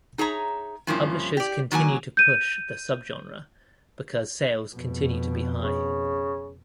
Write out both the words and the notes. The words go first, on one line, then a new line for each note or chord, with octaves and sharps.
Publishers continue to push the subgenre because sales continue to be high.
D#4 G#4 C#5 E5 A#5
G2 C3 F3 A#3 C#4 E4
G4 D5
D#3 F#3 A#3 G#5
G6 D#7
F2 B2
C#3